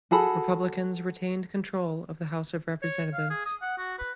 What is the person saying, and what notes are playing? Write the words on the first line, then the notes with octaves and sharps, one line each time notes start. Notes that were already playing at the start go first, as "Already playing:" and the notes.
Republicans retained control of the house of representatives.
F#4 G#4 A4 B5
C#5
F5
G#4
D#6
F#5
F#4
B4